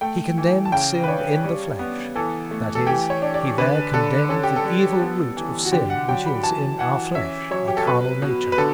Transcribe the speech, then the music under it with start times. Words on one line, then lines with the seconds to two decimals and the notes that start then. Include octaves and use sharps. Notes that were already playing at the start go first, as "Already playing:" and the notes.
"He condemned sin in the flesh;" that is, he there condemned the evil root of sin which is in our flesh,--our carnal nature.
0.01 A3 G5
0.38 E3
0.65 A5
0.72 C#3 G5
1.04 B4
1.08 D4 C#5
1.45 G3
1.79 B3
2.15 E3 A4
2.51 A3
2.75 A4
2.87 E3 G4
3.10 C#5
3.22 D4
3.34 D5
3.58 D3 B4
3.93 D3 A4
4.29 C#4 A4
4.43 G4
4.56 A4
4.65 G3
5.02 B3
5.37 E3
5.65 F#4
5.72 D3 G4
5.90 F#5
6.08 F#3 G5
6.26 B5
6.43 E3 A5
6.79 E3 F#5
7.15 C#4 E5
7.51 F#3 C#5
7.68 G4
7.77 A4
7.86 B2 B4
8.22 B2
8.52 B4
8.58 D3 A4